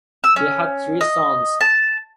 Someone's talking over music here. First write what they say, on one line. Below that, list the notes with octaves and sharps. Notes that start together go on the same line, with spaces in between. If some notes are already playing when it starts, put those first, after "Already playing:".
They had three sons.
E6
C#4
D#5
A5